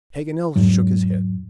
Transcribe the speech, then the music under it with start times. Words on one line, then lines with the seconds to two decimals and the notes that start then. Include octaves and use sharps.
Paganel shook his head.
0.56 E2 G#2 F#3